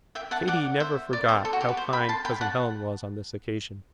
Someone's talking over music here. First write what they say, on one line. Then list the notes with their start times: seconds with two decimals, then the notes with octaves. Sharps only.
Katy never forgot how kind Cousin Helen was on this occasion.
0.15 E5 G5
0.31 F#5 A5
0.48 D5 F#5
0.80 C5 E5
1.13 D5
1.29 C5
1.45 A4
1.53 F#4
1.61 G4
1.68 B4
1.77 C5
1.93 G5 B5
2.09 A5 C6
2.25 G5 B5
2.41 F#5 A5